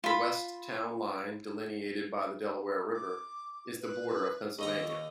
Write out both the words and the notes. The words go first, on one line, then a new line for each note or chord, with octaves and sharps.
The west town line, delineated by the Delaware River, is the border of Pennsylvania.
F4 B5
D6
B4
D#2 D#4 A#5 C#6